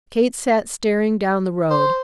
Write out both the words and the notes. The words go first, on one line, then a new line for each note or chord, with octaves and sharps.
Kate sat staring down the road.
C5